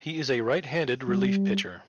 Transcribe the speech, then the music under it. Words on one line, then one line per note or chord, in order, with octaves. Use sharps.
He is a right-handed relief pitcher.
G3